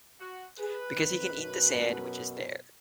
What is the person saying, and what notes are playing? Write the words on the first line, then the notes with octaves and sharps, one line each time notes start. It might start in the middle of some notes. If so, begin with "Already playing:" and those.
Because he can eat the sand which is there.
F#4
G#4 B4
F2 D#3
F#2 B2